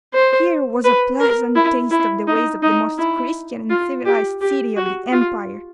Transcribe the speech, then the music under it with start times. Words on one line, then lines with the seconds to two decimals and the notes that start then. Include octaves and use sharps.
Here was a pleasant taste of the ways of the most Christian and civilised city of the Empire!
0.14 C5
0.85 B4
1.20 A#4
1.56 E4
1.91 E4
2.27 D#4
2.63 D#4
2.99 E4
3.70 F4
4.06 G4
4.41 G4
4.77 F#4
5.12 F4